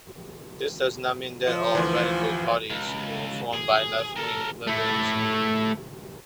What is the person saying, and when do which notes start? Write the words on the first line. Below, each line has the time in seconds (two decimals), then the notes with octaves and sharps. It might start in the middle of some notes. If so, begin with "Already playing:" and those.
This does not mean that all radical parties were formed by left-wing liberals.
1.47 F3
1.75 D2 E3
2.70 C#2
3.54 G#4
4.16 A4 A#4
4.67 A3 E4